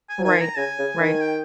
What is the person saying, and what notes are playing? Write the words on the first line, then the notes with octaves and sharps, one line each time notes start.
Right. Right.
G#5
F3
D#3 G#5
A#5
C#3 G#5
C#3
D#3
G5